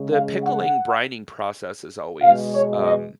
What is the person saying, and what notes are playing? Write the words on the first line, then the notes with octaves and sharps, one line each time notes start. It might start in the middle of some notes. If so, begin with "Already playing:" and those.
The pickling brining process is always, um,
Already playing: C#3 G#3
F5
F#5
B2 G#3 F5
C#5
D#5